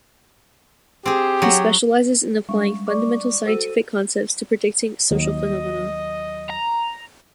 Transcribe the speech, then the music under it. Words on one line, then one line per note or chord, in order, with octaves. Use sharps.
He specializes in applying fundamental scientific concepts to predicting social phenomena.
C4 G4 G#4
F#3 C#5
G3 G#3 C#6
D5 C#6 D6
F#4 A4 C5 E6 D#7
D#2 F#3 D#5
A#5